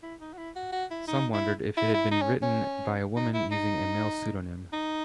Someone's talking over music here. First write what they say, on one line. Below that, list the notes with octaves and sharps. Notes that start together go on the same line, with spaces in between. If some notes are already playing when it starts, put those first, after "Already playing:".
Some wondered if it had been written by a woman using a male pseudonym.
E4
D#4
F#4
E4
F#4
F#4
E4
D#4
E4
E4
E4
D#4
C#4
C#4
D#4
E4
D#4
D#4